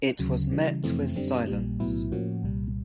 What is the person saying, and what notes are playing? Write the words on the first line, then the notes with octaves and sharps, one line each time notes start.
It was met with silence.
D2 C#3 F#3
C#3 E3 G3
F2 C3 E3 A3 C4
F#2 D3 G3 C4
A#1 A#2 G3
B1 A2 F#3 B3 E4
A2 F3 A#3 C#4 F#4
C2 A#2 G3